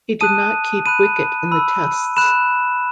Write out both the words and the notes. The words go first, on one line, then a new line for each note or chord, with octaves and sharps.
He did not keep wicket in the Tests.
A5 D#6 F#6 D#7
B5 F#6 D#7
B5 E6
B5 F#6 E7